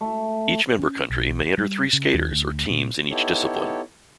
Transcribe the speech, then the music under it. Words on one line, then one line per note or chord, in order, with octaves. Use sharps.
Each member country may enter three skaters or teams in each discipline.
A3
C#4
B1
G3
C#3
D#2
D2
A#2
B3 D#4 E4 G4 A4 C#5